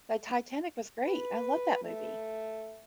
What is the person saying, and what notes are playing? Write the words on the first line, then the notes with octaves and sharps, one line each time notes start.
The Titanic was great, I love that movie.
B4
A3